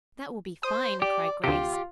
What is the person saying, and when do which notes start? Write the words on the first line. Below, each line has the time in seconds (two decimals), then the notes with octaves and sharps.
"That will be fine," cried Grace.
0.63 C5 D#6
1.02 G4 D5
1.44 D2 C3 F4 G4